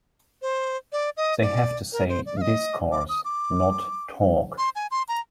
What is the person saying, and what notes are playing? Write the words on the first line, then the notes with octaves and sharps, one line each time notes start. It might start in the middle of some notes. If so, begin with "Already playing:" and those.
They have to say 'discourse', not 'talk'.
C5
D5
D#5
D5
A#4
C5
D5
F5
D#5
D6
D#6
D6
C6
G#5
C6
A#5